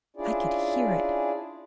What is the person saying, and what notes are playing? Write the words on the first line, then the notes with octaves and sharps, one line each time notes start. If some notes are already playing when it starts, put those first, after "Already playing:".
I could hear it.
C#4 D4 E4 F4 G#4 D5